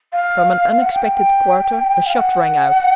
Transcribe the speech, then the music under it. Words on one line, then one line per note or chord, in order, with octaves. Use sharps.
From an unexpected quarter a shot rang out.
F5
F5
F#5
G5
F5
F#5